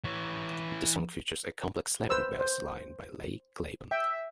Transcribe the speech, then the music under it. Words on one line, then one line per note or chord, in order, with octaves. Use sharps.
The song features a complex slapping bass line by Les Claypool.
E3 C#5
B4 C5 E6
C5
E5 G5